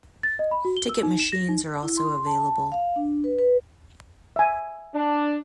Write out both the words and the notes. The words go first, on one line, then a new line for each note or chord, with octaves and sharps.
Ticket machines are also available.
A6
D#5
B5
F#4
G7
E6
D#4
E7
A#6
D#4
E4
C6
A5
F5
D4
B4
B4
E5 G#5
D4